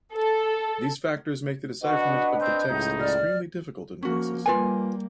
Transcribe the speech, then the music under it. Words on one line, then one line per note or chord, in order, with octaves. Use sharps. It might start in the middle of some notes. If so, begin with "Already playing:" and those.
These factors make the decipherment of the text extremely difficult in places.
A4
D4 F#4 B4 D#5 F#5
C4 G6
C#2 A2 D#4
D5 F6
F3 A#3 C#4 F#4
G3 A#3 F4 B4 G#5